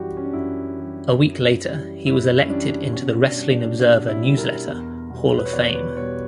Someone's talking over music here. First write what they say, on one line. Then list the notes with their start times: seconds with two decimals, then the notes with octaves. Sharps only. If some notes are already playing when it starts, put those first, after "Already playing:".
A week later, he was elected into the Wrestling Observer Newsletter Hall of Fame.
Already playing: F#2 E3 G3 F#4 G4
0.17 C#4
0.24 D4
0.33 F#2 E4
0.76 E3 G3
1.20 F#2
1.63 E3 G3
2.06 F#2 E4
2.41 C#4
2.50 E3 G3 D4
2.93 B2 C#4
3.22 D4
3.36 G3
3.51 D4
3.80 B2 D4
4.08 E4
4.23 G3
4.37 A#4
4.67 E2
5.10 B2 G3
5.38 B4
5.45 C#5
5.53 E2 D5
5.75 B4
5.97 B2 G3 C#5